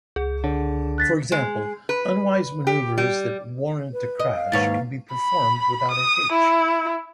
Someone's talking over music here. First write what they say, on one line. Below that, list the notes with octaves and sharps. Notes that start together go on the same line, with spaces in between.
For example, unwise maneuvres that warrant a crash can be performed without a hitch.
C#2 G#4
D3 C#5
F#6 A6 B6
G#3
B4
G4
G3
B4
D#5
F5
D#2 G#2 A#3 B4 C#5 A6
B5
D#6
E4